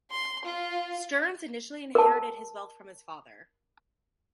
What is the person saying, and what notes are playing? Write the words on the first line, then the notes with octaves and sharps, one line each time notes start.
Stern's initially inherited his wealth from his father.
C6
F4
A#4 A5